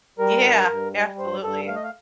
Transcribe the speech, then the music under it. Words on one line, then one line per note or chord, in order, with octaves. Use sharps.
Yeah, absolutely.
G3 A#4
G2
G2
G3
G2 C5
G2 A4
A3 F5
D#5
F5